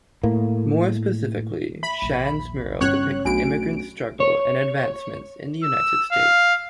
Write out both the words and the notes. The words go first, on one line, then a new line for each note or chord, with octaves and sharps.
More specifically, Shahn's mural depicts immigrants' struggle and advancement in the United States.
A2 A#3
E5 B5
A#1 D#2
G1 C#3 G3 C#4 C#5 F#6
B1 A3 D4 F#4 D7
C#5
E6
F5